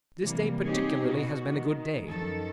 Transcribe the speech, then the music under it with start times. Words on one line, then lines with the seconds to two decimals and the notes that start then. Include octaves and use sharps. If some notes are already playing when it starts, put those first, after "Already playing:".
This day particularly has been a good day.
0.23 C3 E3 G3 A#3
0.64 C4 D#4 G4 G#4 C#5
1.07 B2 F#4
1.48 D#3
2.09 F#2 D#3 F3 A4